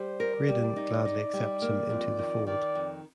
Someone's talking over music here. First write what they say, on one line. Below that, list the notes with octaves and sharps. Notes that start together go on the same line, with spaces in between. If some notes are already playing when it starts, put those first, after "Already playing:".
Graydon gladly accepts him into the fold.
Already playing: G3 C5
A#4
D5
G3
D#4
D#4
G3
A#3
F2
D#3
D#3 D5
F2